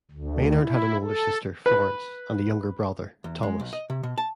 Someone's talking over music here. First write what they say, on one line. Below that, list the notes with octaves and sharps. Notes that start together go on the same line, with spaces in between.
Maynard had an older sister, Florence, and a younger brother, Thomas.
D2
E4
A4
B4
E2
G#3
B1
D#5
C3
B2
A5